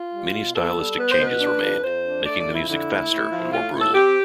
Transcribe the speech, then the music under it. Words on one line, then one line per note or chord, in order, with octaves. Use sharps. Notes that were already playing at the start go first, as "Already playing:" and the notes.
Many stylistic changes were made, making the music faster and more brutal.
Already playing: F4
G3
B2
B3 A4
G3
B3 B4
C5
B2 B4
D4
F2
F2 C5
D4
A3 D5
D5
F2
E4
D3 E4
A3
A2
F3
A2 F4
A2
A4
C4 G4